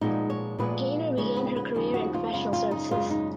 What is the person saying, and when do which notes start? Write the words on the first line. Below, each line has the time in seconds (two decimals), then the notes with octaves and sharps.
Gaynor began her career in professional services.
0.01 A#2 F3 G#3 B3 D#4
0.30 C#5
0.58 A#2 F3 G#3 B3 B4
1.17 D#2 C#3 F3 G#3 C#5
1.36 B4
1.56 B4
1.75 D#2 C#3 F3 G#3
1.94 F#4
2.14 F4
2.33 F#2 C#3 G#3 F4
2.53 F4
2.71 D#4
2.91 F#2 C#3 G#3 F4
3.10 D#4